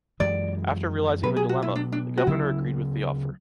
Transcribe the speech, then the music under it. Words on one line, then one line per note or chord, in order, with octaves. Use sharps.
After realizing the dilemma, the governor agreed with the offer.
F#2 E3 G#3 D5
B2 F#3 B3 B4
G#4
F#4
E4
D4
D4
F#4
D2 C#3 F#3 B3 E4